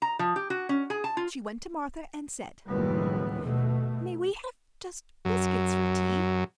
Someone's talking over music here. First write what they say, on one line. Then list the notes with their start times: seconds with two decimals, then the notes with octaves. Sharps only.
She went to Martha and said, 'May we have just biscuits for tea?
0.02 A#5
0.19 F3
0.36 G4
0.50 F#4
0.69 C#4
0.90 G#4
1.04 A5
1.17 F4
2.68 F#1 D#2 A2 F3 G3 B3
3.41 B2 A3
5.25 F#2